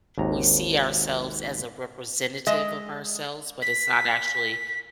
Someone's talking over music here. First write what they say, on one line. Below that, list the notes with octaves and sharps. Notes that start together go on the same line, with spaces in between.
we see ourselves as a representative of ourselves, but it's not actually
G#1 D#2 A#5
G#3 D#5 E5
B6